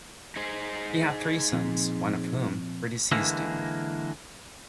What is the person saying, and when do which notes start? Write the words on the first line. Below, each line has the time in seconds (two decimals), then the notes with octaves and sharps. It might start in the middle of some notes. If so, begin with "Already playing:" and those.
He had three sons, one of whom predeceased him.
0.36 D#4 G#4 C5
1.52 A#2 F3 C4
3.12 D3 E3 G#3 A#3